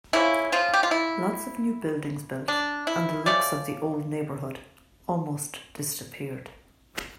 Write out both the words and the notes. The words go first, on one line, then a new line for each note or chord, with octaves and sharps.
Lots of new buildings built and the looks of the old neighbourhood almost disappeared.
C#3 F3 A#3 C#4 E4
F3 F4
G4
F4
E4
D4
E4
F3 A3 C#4 D5